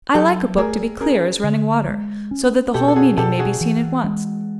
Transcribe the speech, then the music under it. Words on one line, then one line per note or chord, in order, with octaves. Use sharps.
"I like a book to be clear as running water, so that the whole meaning may be seen at once."
F#3 G4 A4
A3 G#4 A#4
C#4 G#4 A#4
D3
G#3
C#4
B2 G4 A4
A4
F#4 G#4
B2 G4 A4
F#4 G#4
E3
G#3